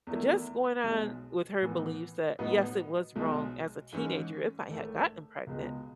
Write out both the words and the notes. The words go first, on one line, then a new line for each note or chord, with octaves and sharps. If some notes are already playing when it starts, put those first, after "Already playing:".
just going on with her beliefs that, yes, it was wrong as a teenager if I had gotten pregnant.
E2 D#3 A3 E4
B1 B2 G#3
A2 E3 B3
A2 F#3 B3 D#4
B1 B2 G#3
G#2 E3 G#3 C#4
A1 G#2 D#3 A3
C#2 B2 G#3